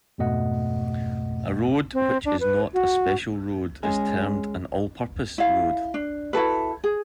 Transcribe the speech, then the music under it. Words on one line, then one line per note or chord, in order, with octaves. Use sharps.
A road which is not a special road is termed an "all-purpose" road.
F2 G#2 B2 A3 D#5 F#5
C4
D4
B4
F#4
G#3 C#4 G#4
E4 F5
D4
E4 F#4 A4 B4
G#4